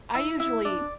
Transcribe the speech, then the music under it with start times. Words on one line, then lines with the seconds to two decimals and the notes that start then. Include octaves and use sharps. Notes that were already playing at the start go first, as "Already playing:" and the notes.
I usually
0.15 E4 E5
0.40 E4 E5
0.65 D4 D5